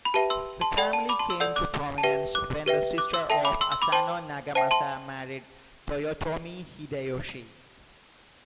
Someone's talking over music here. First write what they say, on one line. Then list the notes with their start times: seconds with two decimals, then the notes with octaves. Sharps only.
The family came to prominence when the sister of Asano Nagamasa married Toyotomi Hideyoshi.
0.05 B5
0.14 G4 B4 E5 G5 A5
0.30 C6 E6
0.61 A5 C6
0.77 A4 D5 F#5 G5 B5
0.93 A5
1.09 B5 D6
1.19 A5 C6
1.30 C6 E6
1.40 A4 D5 F#5 E6 G6
1.56 D6 F#6
1.98 A5
2.03 G4 B4 E5 G5
2.35 D6 F#6
2.66 G4 B4 E5 G5
2.98 D6 F#6
3.14 C6 E6
3.30 A4 E5 G5 A5
3.45 B5 D6
3.61 C6 E6
3.72 C6 E6
3.82 B5 D6
3.92 C5 G5 A5 C6
4.55 C5 E5 G5 A5
4.71 A5 C6